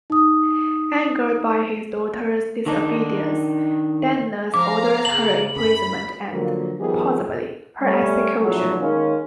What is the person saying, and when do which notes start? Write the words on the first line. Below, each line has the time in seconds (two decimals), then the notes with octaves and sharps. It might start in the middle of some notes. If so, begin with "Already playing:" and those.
Angered by his daughter's disobedience, Danaus orders her imprisonment and, possibly, her execution.
0.10 D#4 D#6
2.66 D#3 D4 D#4
4.54 F3 F5 A#5 D6
5.05 C#3 F#7
5.55 F#2 B5
6.32 D3 F3 F#3 A#3
6.80 D#3 F3 G3 B3 G4 G#4
7.81 G3 A3 C#4
8.42 B1 E2 A2 F3 F#3
8.80 D#3 G#3 A#3 C#4